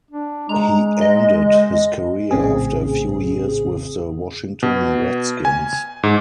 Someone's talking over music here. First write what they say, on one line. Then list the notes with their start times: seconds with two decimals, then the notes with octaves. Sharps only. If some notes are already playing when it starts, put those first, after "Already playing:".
He ended his career after a few years with the Washington Redskins.
0.11 D4
0.49 G#3 A#5
1.01 D#5
2.31 A#1 A2 C#3 C4 G#4
4.63 B2
5.45 G#5
6.03 G#2